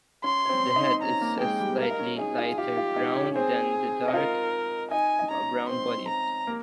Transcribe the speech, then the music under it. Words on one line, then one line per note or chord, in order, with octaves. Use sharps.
The head is a slightly lighter brown than the dark brown body.
C#4 C#5 C6
C#5
C4 C5
D#4 D#5
C#4 C#5 A#5
A#3 A#4
G#3 G#4 G5
G3 G4
A#4 F5
D#5
C#4 C#5
D#4 G#4 D#5
F4 F5
F4 G4 F5
F4 F5
D#4 D#5
C#4 C#5
C4 G#4 C5
D#5
F4 A#4 F5
D#4 D#5 G#5
D#5
C#4 C#5 A#5
C4 C5 C6
A#5
A#3 A#4